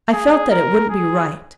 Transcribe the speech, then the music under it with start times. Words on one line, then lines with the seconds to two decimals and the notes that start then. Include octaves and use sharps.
I felt that it wouldn't be right.
0.13 G#4
0.51 A#4
0.90 G#4